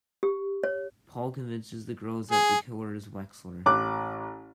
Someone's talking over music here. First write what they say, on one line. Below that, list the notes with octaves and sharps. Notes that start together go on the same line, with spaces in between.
Paul convinces the girls that the killer is Wexler.
G4
C#5
G#4
A1 D6 F#6